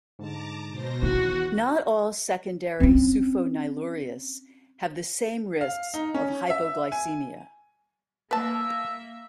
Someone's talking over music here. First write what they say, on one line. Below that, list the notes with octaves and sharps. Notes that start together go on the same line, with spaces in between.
Not all secondary sufonylureas have the same risks of hypoglycemia.
G#2 D3 G#3 A5 A#5 D6
B2 C5 A#6
E2 D#3 E4 F#4 F#5
C4 C#4
F5
D#4
C#4
E5
G#5
A#3 B4 E5 A5